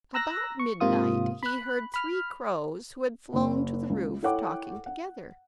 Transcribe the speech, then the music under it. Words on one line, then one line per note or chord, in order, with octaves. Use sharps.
About midnight he heard three crows, who had flown to the roof, talking together.
A#5 E6 F#6 A#6
C#6
G#2 C3 A#3 F4 D#6
B5 F#6
B5 F6
F#1 A#3
C#2
E4 A4 C#5 F#5 G5 D6
F#5